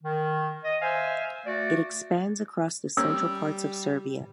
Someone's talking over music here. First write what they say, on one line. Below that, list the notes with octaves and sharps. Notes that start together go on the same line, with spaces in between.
It expands across the central parts of Serbia.
D#3
D#5
C5 E5 F5 G#5
A3 F#4 D5
G3 A#3 C4 C#4 E6